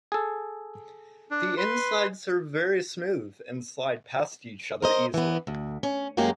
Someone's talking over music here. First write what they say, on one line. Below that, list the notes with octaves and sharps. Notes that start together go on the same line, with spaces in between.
The insides are very smooth and slide past each other easily.
G#4 A4
D4
B4 C6
A#4 C5 D#5
E3 B3
D2
C#4
F#2 F#3 G#3 A#3 G4 G#4